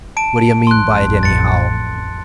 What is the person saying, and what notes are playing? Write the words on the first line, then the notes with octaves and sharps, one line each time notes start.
What d'you mean by it, anyhow?
A5 D7
A1 F2 C6 F#6
A6 C#7